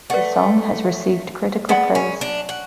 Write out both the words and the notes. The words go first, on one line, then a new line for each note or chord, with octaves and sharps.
The song has received critical praise.
A3 B4 D5 F#5
B3 G#4 D5 F#5 B5
C#4
D4
F#4